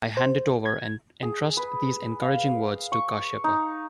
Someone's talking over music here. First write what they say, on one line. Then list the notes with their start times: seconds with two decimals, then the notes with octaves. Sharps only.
I hand it over and entrust these encouraging words to Kashyapa.
0.17 C5
0.66 G#6
1.23 G#4
1.57 B4
2.22 F5
2.92 C#6
3.44 D#4